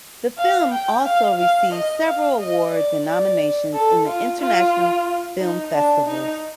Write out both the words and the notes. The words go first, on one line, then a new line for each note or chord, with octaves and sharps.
The film also received several awards and nominations in international film festivals.
F5
G5
F5
F5
D#5
F5
D#5
D5
D5
A4
F4
F4
D#4
D4
D#4